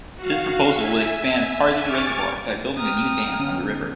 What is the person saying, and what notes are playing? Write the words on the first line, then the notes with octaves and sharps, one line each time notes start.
This proposal would expand Pardee Reservoir by building a new dam on the river.
F#4 F5
E5 G#5
G#5 C#6 D6 F6 A6
G5 A#5 D#6 F6
D3 B3 C#4